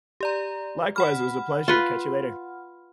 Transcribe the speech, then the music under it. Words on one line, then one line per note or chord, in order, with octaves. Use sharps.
Likewise, it was a pleasure, catch you later.
G4 D5 A#5
F#5 B5 F6
F4 B4